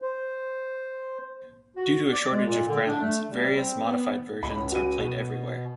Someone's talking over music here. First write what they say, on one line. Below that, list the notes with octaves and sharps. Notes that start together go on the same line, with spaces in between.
Due to a shortage of grounds, various modified versions are played everywhere.
C5
F#4
D5
G#3
A#2
D3
D4
A3
G3
C4
B3
C#2 B5
F#4 D#7
B2